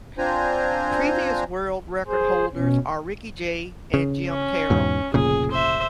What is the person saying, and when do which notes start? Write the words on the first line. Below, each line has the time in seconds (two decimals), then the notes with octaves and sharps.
Previous world record holders are Ricky Jay and Jim Karol.
0.18 C4 D4 F4 C5 G#5 A#5
2.08 G#4 C5
2.53 B2 C#4
3.94 C#3
4.28 C#4
4.70 E2 G#2 B2
5.14 F1 A#2 C#3 G#4
5.51 C5 E5